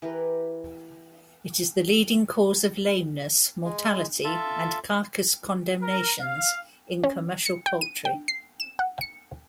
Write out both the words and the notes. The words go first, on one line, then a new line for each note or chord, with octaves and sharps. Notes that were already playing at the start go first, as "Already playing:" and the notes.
It is the leading cause of lameness, mortality, and carcass condemnations in commercial poultry.
E3 G4 A#4 B4
G#3
F4 A4 E5
A#4
F5
C#4
C#7
G5
D#7
G5
C7
E7
F#5
C#7